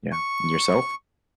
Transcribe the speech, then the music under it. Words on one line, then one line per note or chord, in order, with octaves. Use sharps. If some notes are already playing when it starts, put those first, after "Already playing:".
Yeah, and yourself?
C#6